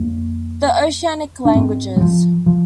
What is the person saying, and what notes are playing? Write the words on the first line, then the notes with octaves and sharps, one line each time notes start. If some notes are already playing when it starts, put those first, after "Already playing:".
The Oceanic languages.
Already playing: F2 D3 A#3
D4
G#2 C4
G3
F3
F3